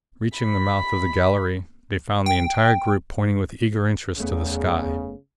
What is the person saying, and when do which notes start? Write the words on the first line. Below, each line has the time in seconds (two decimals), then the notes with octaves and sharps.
Reaching the mouth of the gallery, they found the entire group pointing with eager interest to the sky.
0.38 B5
2.26 G5
4.18 F#1 E2 C#3 A3 B3